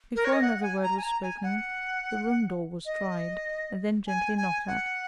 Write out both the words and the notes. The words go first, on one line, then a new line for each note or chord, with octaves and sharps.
Before another word was spoken the room door was tried, and then gently knocked at.
A#4
C#5
D#5
F#5
F#5
G#5
A#5
G#5
A#5
G#5
F#5
D#5
G#5
G#5
F#5